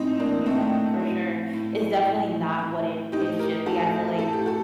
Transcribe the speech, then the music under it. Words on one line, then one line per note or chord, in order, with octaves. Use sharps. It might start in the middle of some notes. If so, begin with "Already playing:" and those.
Yeah, for sure. It's definitely not what it it should be, I feel like
Already playing: A2 C4 D#4
A#3 D4
A2 A3 C4
A2
A2
A2
A2
A2 D#4 G4
G4 A#4
A2 F#4 A4
A2 A4
G4
F#4 A4